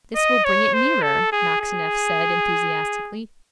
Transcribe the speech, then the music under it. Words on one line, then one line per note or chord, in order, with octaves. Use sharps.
'This will bring it nearer!' Maxineff said enthusiastically.
D#5
C#5
C5
A4
G#4
G#4